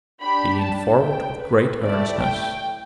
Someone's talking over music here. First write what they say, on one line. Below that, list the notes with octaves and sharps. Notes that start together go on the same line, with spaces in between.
He leaned forward with great earnestness.
D4 G4 B5
A5
G5
B4
A3 E4 G4 D5
G5